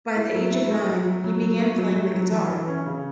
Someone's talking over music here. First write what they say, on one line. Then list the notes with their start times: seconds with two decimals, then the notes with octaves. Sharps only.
By the age of nine, he began playing the guitar.
0.16 E4
0.35 F#3
0.52 E4
0.71 A3
0.89 F#3
1.06 F#3
1.24 F#3
1.42 F#3
1.60 A3
1.78 F#3
1.96 A3
2.15 F#3
2.31 E3
2.50 E3
2.68 C#4
2.86 C#3